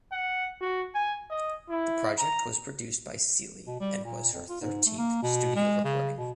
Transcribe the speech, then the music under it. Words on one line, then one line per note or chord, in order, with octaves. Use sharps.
The project was produced by Seely and was her thirteenth studio recording.
F#5
F#4
G#5
D#5
E4
A#5
B2
G3
A#2
F2
F4
G#2
A3
A#3
B2
G#3
C#3
B2